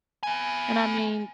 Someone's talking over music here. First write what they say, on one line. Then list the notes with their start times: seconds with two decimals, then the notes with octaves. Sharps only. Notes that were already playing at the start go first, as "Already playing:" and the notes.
and I mean,
0.23 B3 G#5